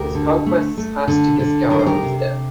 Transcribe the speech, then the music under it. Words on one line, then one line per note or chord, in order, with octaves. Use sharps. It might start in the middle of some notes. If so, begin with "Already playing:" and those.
His conquests passed to Guiscard on his death.
Already playing: D2 G4 A#4
D3
A3
A3
D3
D3
D#3 A#4
C5
G4 A#4
C3